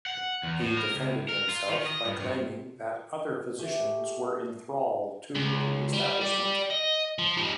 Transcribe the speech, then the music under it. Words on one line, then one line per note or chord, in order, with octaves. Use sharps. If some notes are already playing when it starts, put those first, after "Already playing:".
He defended himself by claiming that other physicians were in thrall to the establishment.
F#5
E2
A2
A#4
C#2
A#4
F4
D#3
D#5
G2
G2
A3 G4 G#4
C#2
G3
G4 D5
D#5
F3
G3 D#4